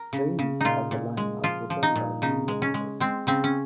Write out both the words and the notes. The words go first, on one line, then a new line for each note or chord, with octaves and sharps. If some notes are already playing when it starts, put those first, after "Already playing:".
Trains of the line are propelled by linear motors.
Already playing: A#4
C#3
C#3
A#2 D#4 F4
A#2
G#3
F3 F4
F3
D#4
A#2
C#3 D#4
G#3
C#4
G#3
G#3 C4
C#3 C4
C#4